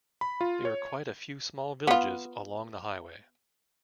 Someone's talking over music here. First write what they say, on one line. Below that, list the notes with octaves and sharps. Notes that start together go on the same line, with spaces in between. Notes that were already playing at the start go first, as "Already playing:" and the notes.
There are quite a few small villages along the highway.
B5
F4
C#5
B3 F4